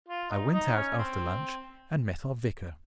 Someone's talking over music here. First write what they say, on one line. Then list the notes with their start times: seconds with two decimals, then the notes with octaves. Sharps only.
I went out after lunch, and met our Vicar.
0.08 F4
0.30 D#4
0.53 D#4
0.75 C#4
0.98 C4